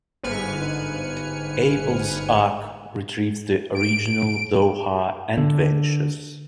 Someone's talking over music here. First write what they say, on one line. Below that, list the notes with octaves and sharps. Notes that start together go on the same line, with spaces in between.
Abel's Ark retrieves the Original Zohar and vanishes.
G1 G#2 B4 G#5 F6 C#7
D7
D3